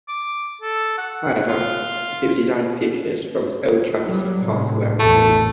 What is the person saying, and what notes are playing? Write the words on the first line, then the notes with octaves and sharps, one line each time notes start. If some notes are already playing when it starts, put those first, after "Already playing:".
However, a few design features from old Comiskey Park were retained.
D6
A4
F#5
F4
F#3 G3
A2 C3
A1 E2 A3